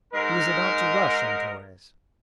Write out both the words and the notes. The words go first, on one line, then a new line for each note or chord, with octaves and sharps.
He was about to rush on Torres.
G#2 D#4 A#4